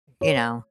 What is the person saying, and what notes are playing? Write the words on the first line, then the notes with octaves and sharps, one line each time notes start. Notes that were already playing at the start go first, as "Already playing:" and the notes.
You know,
C#5